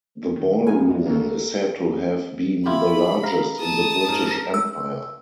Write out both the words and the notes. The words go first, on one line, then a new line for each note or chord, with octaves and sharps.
The ballroom is said to have been the largest in the British Empire.
D#3
A#3 B3 D#4 G#5
D2 G#2 G#3
D2 D3 D#3 A#3 F#4 A4
G3
E4 F4 G4 B5
F5 A#5 A#6
A5 D#6
G#2 A#4
E6